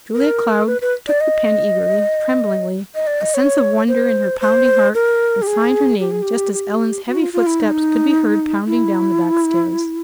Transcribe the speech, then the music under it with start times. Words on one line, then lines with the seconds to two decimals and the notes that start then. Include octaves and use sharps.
Julia Cloud took the pen eagerly, tremblingly, a sense of wonder in her pounding heart, and signed her name just as Ellen's heavy footsteps could be heard pounding down the back stairs.
0.15 A#4
0.67 B4
0.81 B4
1.08 D5
1.21 D#5
2.95 D#5
3.07 D5
3.21 D#5
3.34 C#5
3.88 C5
4.41 C5
4.94 A#4
5.42 G4
5.47 G#4
6.00 G4
6.11 G#4
6.22 G4
6.53 G4
7.07 F#4
7.20 F4
7.33 F4
7.46 E4
7.61 D#4
8.67 E4